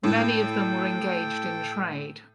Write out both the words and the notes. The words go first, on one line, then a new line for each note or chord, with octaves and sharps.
Many of them were engaged in trade.
A2 A4 G5